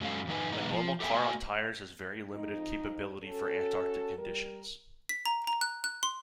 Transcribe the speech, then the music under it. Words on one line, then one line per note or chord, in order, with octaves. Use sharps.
A normal car on tires has very limited capability for Antarctic conditions.
F#2 F#3 G#3 C#4 A4 F5
F2 G#2 D#3 D#4 B4 G#5
B2 E3 G#3 B3 D#4
F3
G4 A4 E5 G5 G#5
A#3 F#4 G#5
F2 D#4
C#4 F#4 A4
G3 A#4
B6
A#5
A#5
F#6
F#6
C6